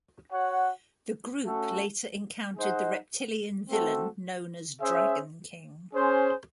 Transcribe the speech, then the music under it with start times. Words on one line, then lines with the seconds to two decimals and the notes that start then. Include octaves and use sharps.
The group later encountered the reptilian villain known as Dragon King.
0.32 F#4 C#5 F#5
1.43 A3 C#4 F#4 A4
2.57 D#4 G#4 C5 D#5 F#5
3.69 A3 C4 F#4 A4
4.81 C#4 G#4 C5 E5
5.93 C#4 G#4 C5